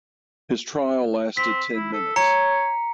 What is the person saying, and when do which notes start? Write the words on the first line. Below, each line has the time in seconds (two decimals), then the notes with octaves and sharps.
His trial lasted ten minutes.
1.37 C4 B6
1.75 E4
1.93 A4
2.16 C#5 A#5 C#7